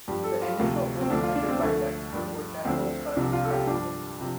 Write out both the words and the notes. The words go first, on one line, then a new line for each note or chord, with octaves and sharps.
The initial books written by Dexter were general studies text books.
G2 F3 G4
A4
F4
D2 C3 F3
C4
D2 D3 F3 D4
F4
D4
C4
D2 D3 F3 A3
G2 F3
D2 D3 F3 C4
C2 C3 F3 D4
F4
A4
G4
G2 F3 D4
C3 F3